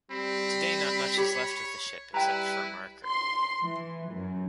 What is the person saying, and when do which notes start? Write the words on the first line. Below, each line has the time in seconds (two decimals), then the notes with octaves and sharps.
Today not much is left of the ship except for a marker.
0.11 G3 C4 B5
1.18 G4 C#5
2.14 G3 E4 B4 G5 A#5
3.07 C6
3.62 E3
4.12 F#2